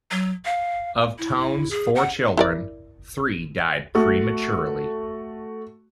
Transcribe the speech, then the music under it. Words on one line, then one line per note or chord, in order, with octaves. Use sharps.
Of Tone's four children, three died prematurely.
F#3
F5
E4
G#4
F#5
E4 A#4 D5
A3 F#4